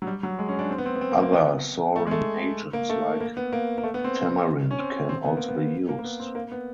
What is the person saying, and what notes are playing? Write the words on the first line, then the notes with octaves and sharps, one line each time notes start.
Other souring agents like tamarind can also be used.
F#3
G3
F#3
G#3
C#4
D4
C4
B3
C4
B3
C4
A#3
A#3
B3
A3
G#3
A3
A#3
A3
A#3
B3
A#3
A#3
A3
B3
C4
C#4
C4
C4
B3
A#3
B3
A#3
A#3
B3
C4
A#3
B3